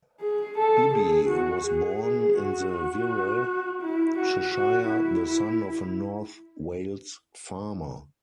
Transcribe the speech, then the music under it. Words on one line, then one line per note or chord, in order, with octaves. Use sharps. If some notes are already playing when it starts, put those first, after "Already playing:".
Bibby was born in the Wirral, Cheshire, the son of a North Wales farmer.
G#4
A4
G#4
F#4
G#4
G#4
F#4
F#4
E4
F#4
F#4
E4